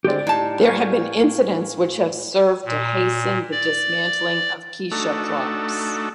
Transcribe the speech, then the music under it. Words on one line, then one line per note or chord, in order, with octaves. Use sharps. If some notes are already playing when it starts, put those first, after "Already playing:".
There have been incidents which have served to hasten the dismantling of kisha clubs.
D3 G#3 C4 G4 D5
A2 D#4 A5
F5 G#5 C#6
A#2
D5
A3 D4 D#4 F#4 A4